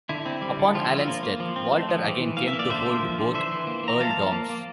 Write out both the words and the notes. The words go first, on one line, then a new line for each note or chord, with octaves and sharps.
Upon Allan's death, Walter again came to hold both earldoms.
D3 E4
C4
G3
D3
F3 F4
E4
F3
F4
A#3
A#3
F3
C4
A3
F3
E3
E3
A#3 F5
E5
A#3
D5 F5
D3 C5 E5
A#3
F3
D3
E3 C5 E5
E3
A#3
A#3 A#5
F3 F5 A5
F3
A#3
A#3